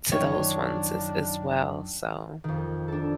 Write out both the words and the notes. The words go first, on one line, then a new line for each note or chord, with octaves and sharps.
to those ones as as well, so
F#2 D#3 F3 D4 C#5
F2 D#3
D4 A4